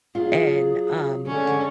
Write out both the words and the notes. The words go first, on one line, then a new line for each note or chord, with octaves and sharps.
and, um,
F#3 F4 G#4
D3 G#3 A3 C#4